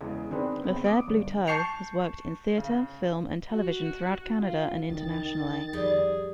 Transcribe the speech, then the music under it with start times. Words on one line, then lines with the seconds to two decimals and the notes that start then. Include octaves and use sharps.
Lothaire Bluteau has worked in theatre, film and television throughout Canada and internationally.
0.01 E2 C#3 G#3
0.30 D#3 C4 D4 G#4 B4
0.62 C#3 B3 C4
0.84 D6 D#6 D7
1.07 G1
1.47 A5 C#6 G6 C7 C#7 F7
2.58 C#3
3.52 F#4
4.40 F4
4.90 C#2 D#3 A6
5.73 F2 G3 G#4